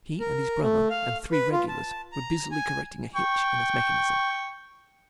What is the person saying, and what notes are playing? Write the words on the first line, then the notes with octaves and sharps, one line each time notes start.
He and his brother and three regulars were busily correcting a hitch in its mechanism.
A#4
A3
F5
B4
F4
A5
A#5
G#5
G5 C#6